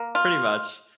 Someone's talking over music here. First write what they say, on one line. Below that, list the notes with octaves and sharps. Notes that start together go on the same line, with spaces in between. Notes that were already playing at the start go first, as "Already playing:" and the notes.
Pretty much.
Already playing: A#3
F4